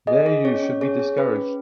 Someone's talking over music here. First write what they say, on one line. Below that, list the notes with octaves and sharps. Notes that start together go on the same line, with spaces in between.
Their use should be discouraged.
G#4 D#5
G#4
C#4 C#5
C#4
G#4 C#5
G#4
C#4 B4
C#4